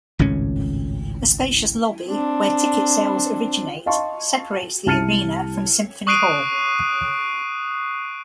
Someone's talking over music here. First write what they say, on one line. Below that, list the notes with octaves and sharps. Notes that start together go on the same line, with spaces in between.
A spacious lobby, where ticket sales originate, separates the Arena from Symphony Hall.
G#1 C#2 A2 C#4
C4 D4
D#5 F5 A5 C6 C#6
C2 A5 F6 A6 C#7 D#7
C#6 D#6 F#6 C7 D7 D#7